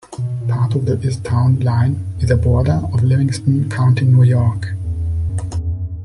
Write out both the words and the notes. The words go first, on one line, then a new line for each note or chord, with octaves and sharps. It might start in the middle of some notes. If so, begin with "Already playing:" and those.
Part of the east town line is the border of Livingston County, New York.
B2
A#2
G#2
F#2
F#2
G#2
F#2
E2
F#2
G#2
F#2
E2
F#2
E2
F#2